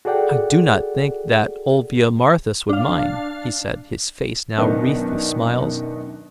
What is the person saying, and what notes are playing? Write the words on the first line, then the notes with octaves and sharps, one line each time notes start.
"I do not think that Olvia Marthis would mind," he said, his face now wreathed with smiles.
F#4 G#4 A4 D5 F#5 G5
D4 F5
F#2 B2 D#3 B3 D4 D#4